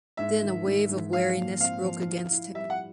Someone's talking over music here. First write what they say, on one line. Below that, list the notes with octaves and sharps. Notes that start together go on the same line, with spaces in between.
Then a wave of weariness broke against him.
G#2 E5
D#3
G#2
G#2
F3 F5
A#2
C4 F5
F3
E4
E4
G3 E5
F#5